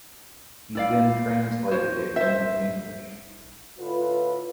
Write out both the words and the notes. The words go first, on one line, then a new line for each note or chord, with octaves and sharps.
He then translated it into English.
E4 D5 F5
F#4 C5 C#5
C5 E5
A2 D3 F4 B4